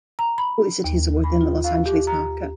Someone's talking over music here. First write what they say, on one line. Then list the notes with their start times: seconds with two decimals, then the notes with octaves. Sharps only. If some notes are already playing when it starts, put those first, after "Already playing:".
All these cities are within the Los Angeles market.
0.19 A#5
0.38 B5
0.84 D#2
1.24 B5
1.41 F4
1.64 F5
1.86 G4
2.07 A#5